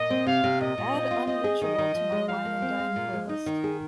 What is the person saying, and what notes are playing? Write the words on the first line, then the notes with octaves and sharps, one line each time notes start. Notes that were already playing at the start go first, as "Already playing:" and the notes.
Add unreachable to my wine & dine playlist.
Already playing: A#2 D#5
C4
C3 F5
C3
A#2 D#5
A#2
C4
F4
C4 D#5
G#4
D#3 D#5
D#3
F3
G#3
F3 F5
A#3
C4
G#3
A#2
G#3
D#4 D#5
D#3
G#4